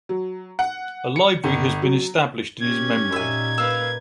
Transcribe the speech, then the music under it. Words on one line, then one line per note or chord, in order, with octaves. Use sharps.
A library has been established in his memory.
F#3
F#5
C#7
G1
F#3
C#4 G4 G#6
A#2 D#4 E5 G#5
A#3 B4 F5 E6